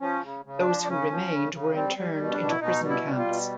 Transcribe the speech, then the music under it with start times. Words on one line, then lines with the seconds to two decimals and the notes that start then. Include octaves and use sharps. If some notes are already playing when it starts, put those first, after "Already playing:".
Those who remained were interned into prison camps.
0.01 F3 C#4
0.23 C#3
0.45 C#3
0.59 D4
0.67 F3
0.83 D4
0.88 C#3 C#4
1.10 F3
1.32 C#3
1.53 C#3
1.74 G3 C4
1.96 G3
2.18 B2
2.32 D4
2.39 B2
2.48 E4
2.61 B2 D#4
2.82 G3
2.89 E4
3.04 G3
3.18 F4
3.25 B2